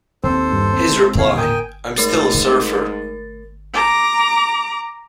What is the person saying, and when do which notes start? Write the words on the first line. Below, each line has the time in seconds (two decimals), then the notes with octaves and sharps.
His reply: I'm still a surfer.
0.24 D#2 C4 A4 C5
0.52 G2
0.73 C4
0.88 C3 G#3
1.18 D#2 A#2 D3 C#5 F5
1.37 A2 A#4 G5 G#5 D#6
1.96 G#2 A3 A#4 A6
3.73 A#5 D6